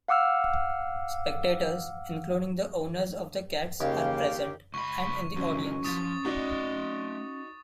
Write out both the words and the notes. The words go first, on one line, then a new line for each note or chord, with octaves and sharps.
Spectators, including the owners of the cats are present and in the audience.
F5 F#5 D6 E6 F6
D#2 C#3 A#3 C#4 G4 F5
C#2 B5 C#6
C#2 E3 F#3 C#4
C#2 F3 D#6 A6
A3 D#4 F#4 D5 D#5